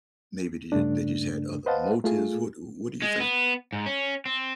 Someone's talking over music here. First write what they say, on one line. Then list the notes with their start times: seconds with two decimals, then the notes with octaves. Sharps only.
maybe they d they just had other motives? What what do you think?
0.72 G2 C#3 A3 D4
1.66 B4 C5 D#5 F5 F#5 A5
2.04 A3 F4 G#4
3.02 G#3
3.20 B3
3.73 G#2
3.86 C#4
4.26 C4